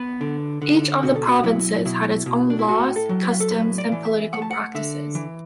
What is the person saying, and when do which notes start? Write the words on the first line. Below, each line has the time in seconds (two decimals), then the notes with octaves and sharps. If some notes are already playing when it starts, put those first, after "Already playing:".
Each of the provinces had its own laws, customs and political practices.
Already playing: B3 B4
0.21 D3
0.62 D3
1.03 B2 F#4
1.16 A4
1.27 F#4
1.43 F#3 E4
1.85 B2 E4
2.26 B2
2.50 D4
2.59 E4
2.67 A2 F#4
2.96 A4
3.09 F#3
3.23 B4
3.40 A4
3.50 A2 B4
3.78 D5
3.92 E3
4.05 E5
4.33 A3 F#5
4.42 A5
4.51 F#5
4.75 D3 E5
5.15 E3